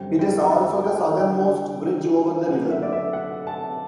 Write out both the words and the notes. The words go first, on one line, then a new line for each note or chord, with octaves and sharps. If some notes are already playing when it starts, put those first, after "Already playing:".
It is also the southernmost bridge over the river.
Already playing: F#2 D3 G3 C4 G5
G5
F#5
G5
D3 G3 D4 G5
E2 D3 F#3 A3 F#5
E5
D5
E5
F#5
A5